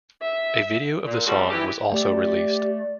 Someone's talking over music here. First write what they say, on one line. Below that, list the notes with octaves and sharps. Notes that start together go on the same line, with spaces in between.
A video of the song was also released.
E5
A#2
F3 G3 G#3 C4 F#4
E3 G4
A3 G4 D5